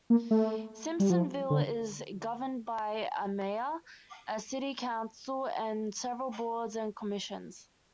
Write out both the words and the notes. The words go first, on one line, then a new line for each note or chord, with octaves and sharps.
Simpsonville is governed by a mayor, a city council, and several boards and commissions.
A#3
A3
G3
F3
D3